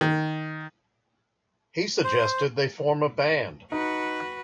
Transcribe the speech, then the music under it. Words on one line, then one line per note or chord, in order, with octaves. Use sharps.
He suggested they form a band.
D#3
C5
D#4 F#4 B4